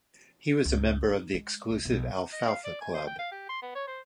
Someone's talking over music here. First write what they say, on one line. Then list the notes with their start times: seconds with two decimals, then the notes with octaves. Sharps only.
He was a member of the exclusive Alfalfa Club.
0.65 C#2
1.09 D#4
1.34 G#3
1.70 C2
1.85 B1
2.32 D#5
2.48 F5
2.64 D5
2.81 G#5
2.94 C5
3.07 G5
3.19 F5
3.32 G4
3.49 C6
3.62 B3
3.75 C#5
3.87 C5